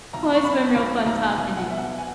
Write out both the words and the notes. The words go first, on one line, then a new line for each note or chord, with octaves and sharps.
Well, it's been real fun talking to you.
B1 A#5
C#6
B2 B5
B1 B5
B1 A#5
B1 G#5
F#5
B2 E5
F#5
G#5